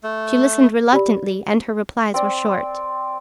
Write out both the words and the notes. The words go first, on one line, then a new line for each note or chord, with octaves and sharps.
She listened reluctantly, and her replies were short.
A3
G4 D5 B5
C4 D5